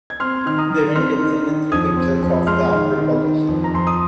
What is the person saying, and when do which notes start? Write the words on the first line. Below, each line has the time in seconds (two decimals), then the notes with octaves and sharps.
They went insane and threw themselves off the Acropolis.
0.10 G#6
0.20 C4 C6 F6
0.46 D#3 F6
0.58 A#5 D#6
0.70 D#3
0.95 C4 C6 F6
1.21 D#4
1.47 D#3
1.72 F2 D#6 G#6
1.96 C4
2.22 F2
2.47 G#3 C6 F6
2.72 D#3
2.97 D#3
3.24 D#3
3.48 F2
3.64 A#5
3.74 F2 C6
3.87 D#6